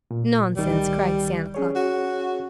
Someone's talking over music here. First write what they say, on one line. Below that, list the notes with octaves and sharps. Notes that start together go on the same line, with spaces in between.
"Nonsense!" cried Santa Claus.
A#2
C#2 D#3 G3
C#4 G#4 C#5
F#4